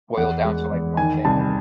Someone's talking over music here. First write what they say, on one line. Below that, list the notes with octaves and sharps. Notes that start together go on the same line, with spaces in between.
boil down to, like, one thing.
E2 F#5
G#3
E2
D#3 G#5
C2 A5